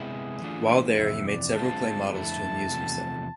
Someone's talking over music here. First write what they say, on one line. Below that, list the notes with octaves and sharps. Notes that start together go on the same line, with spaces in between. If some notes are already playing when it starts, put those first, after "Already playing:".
While there, he made several clay models to amuse himself.
Already playing: C3 G#3 B3 E4 G#4
E3 A3 D4 F4
F2 C3 E3 E5
D5
D3 G#3 C4 F4 A5
F2 D3 A3 E4 A5
E2 C3 F3 A3